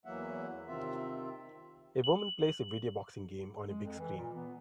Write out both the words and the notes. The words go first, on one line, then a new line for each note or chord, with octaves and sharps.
A woman plays a video boxing game on a big screen.
E2 E3 F#3 A#3 E5 F#5
C3 D#3 C4 F4 E5
F#7
G#3
F2
E3
A#2
B3